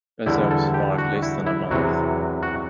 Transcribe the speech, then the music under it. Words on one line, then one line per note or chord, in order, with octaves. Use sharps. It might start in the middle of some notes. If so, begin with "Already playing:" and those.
Bassal survived less than a month.
E2 D3 G3 E4
A4
G4
F#4
E4
E4
E2 C3 F#3 F#4
F#4